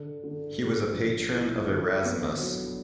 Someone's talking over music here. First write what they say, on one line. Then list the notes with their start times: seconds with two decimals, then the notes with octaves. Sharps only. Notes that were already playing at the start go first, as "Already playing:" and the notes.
He was a patron of Erasmus.
Already playing: D3
0.23 D3
0.60 G#3
0.95 F3
1.32 E4
1.68 D3
2.04 B3
2.39 F#3